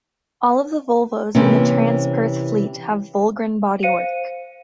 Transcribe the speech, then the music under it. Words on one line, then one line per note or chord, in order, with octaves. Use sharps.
All of the Volvos in the Transperth fleet have Volgren bodywork.
C3 E3 A#3 C4 C#4
C5 F5 C#7 D#7